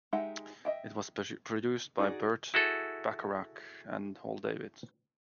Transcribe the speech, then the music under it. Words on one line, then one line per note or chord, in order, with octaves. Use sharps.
It was produced by Burt Bacharach and Hal David.
G#3 D#4 G4 E5 F#5
D#5 E5 G5
D#4 F#4 G#4 D5
E4 F#4 G#4 A4